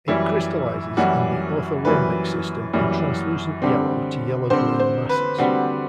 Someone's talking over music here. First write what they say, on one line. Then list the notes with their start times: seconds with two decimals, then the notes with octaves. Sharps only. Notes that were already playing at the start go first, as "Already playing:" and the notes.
It crystallizes in the orthorhombic system in translucent yellow to yellow green masses.
0.08 F#2 E3 G3 E4
0.97 F#2 E3 G3 F#4
1.85 F#2 E3 G3 B4
2.73 F#2 E3 G3
3.62 D3 G3 C4
4.50 D3 G3 C4 C5
4.80 C5
5.09 B4
5.38 D3 G3 C4 F#4